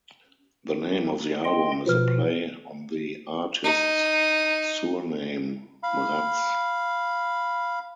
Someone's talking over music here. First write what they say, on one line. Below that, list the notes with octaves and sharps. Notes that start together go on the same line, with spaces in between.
The name of the album is a play on the artist's surname, "Mraz".
D#5 G5 C6
B2 F3 F4 B4 F6
D#4
F5 B5